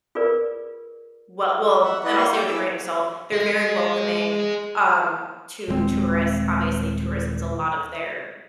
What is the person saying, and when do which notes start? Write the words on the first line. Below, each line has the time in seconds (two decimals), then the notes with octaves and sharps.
well well and I'll say with a grain of salt, they're very welcoming, um, to tourists, obviously, tourism's a lot of their,
0.15 F4 G#4 A#4 B4 D5
1.84 E5 F#5
2.04 E4 B4 D5 D#5 F#5
2.17 A#3 C6 C#6
2.32 G4 G6
2.46 E4 G#4 D6 E6
3.32 G#4 D#5
5.68 D#1 G2 G#3 C4